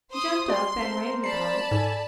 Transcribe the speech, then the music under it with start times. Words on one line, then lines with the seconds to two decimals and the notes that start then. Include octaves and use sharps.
She jumped up, and rang the bell.
0.12 C5 C6 D#6
0.48 F#4 D5 C6
0.82 C4 A#4 C5
1.24 D5 A5 B5 C7
1.71 G#2 A4 G#5